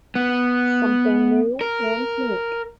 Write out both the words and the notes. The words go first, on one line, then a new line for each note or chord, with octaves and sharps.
Something new and unique.
B3
A#4